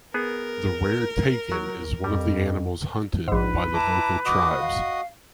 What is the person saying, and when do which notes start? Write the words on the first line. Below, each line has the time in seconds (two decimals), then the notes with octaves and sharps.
The rare takin is one of the animals hunted by the local tribes.
0.14 B3 G#4 A#4
1.52 F#3
2.04 F2 G3
3.28 A#1 G#2 B4
3.74 E4 A5 A#5 D6
4.25 F#4 D#5 D6 D#6
4.59 F5